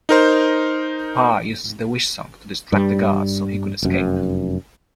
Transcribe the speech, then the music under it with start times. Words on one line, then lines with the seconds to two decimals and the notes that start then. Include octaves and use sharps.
Par uses the Wishsong to distract the guards so he could escape.
0.09 D#4 A#4 C5
2.72 G2 G3
3.83 F1 F#2